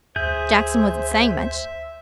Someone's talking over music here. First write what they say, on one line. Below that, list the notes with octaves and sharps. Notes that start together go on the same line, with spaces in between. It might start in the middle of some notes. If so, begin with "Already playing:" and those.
'Jackson wasn't saying much.
D2 G#4 C5 E5 G6